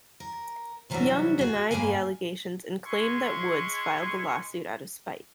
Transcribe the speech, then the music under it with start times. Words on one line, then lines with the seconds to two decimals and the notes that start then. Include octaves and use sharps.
Young denied the allegations and claimed that Woods filed the lawsuit out of spite.
0.20 A#4
0.90 C3 E3 F#3 G3 D4 F#4
1.39 F#4 G#4
1.71 G2 A#3 G#4 F5 G#5
2.86 G#3 E4 G#5 C6 C#6